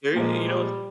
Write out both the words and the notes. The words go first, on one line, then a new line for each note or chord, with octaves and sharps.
Y and you know
A#2 F3 G#3 A#3
G3